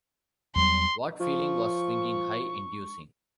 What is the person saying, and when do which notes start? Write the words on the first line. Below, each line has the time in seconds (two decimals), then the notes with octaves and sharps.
What feeling was swinging high inducing?
0.56 E2 F#3 G3 C6
1.20 F3 C#6